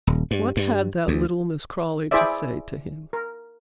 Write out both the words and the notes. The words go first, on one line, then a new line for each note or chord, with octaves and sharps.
What had that little Mrs. Crawley to say to him?
D#1
G2
G2
D2
E4 G#4 C5 D5 E5
A#4